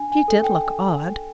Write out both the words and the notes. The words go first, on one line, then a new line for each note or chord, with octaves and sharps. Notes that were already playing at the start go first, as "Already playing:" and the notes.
She did look odd.
Already playing: D4 G#5
G#5
A4
G5